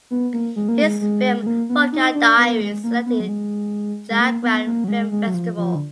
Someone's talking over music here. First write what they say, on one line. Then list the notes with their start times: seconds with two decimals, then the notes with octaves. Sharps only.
His film Vodka Diaries selected in Jagran Film Festival.
0.11 B3
0.33 A#3
0.56 G#3
0.69 A#3
0.82 G#3
1.01 G#3
1.42 G#3
1.47 A#3
1.69 B3
1.92 D#4
2.14 D4
2.38 B3
2.54 A#3
2.61 G#3
2.84 A#3
3.06 B3
3.20 F#3
3.29 G#3
4.10 G#3
4.21 A#3
4.43 B3
4.66 A#3
4.84 F#3
4.88 G#3
5.11 G#3
5.27 F#3
5.34 F3
5.57 F3
5.75 D3